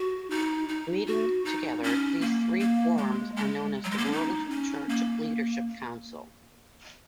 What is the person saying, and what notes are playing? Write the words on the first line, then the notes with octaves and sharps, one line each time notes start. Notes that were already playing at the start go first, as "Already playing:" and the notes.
Meeting together, these three quorums are known as the World Church Leadership Council.
Already playing: F#4
D#4
D#4
F#4
D#4
C#4
A#3
A#3
G#3
G#3
F#3
G#3
A#3
C#4
D#4
C#4
A#3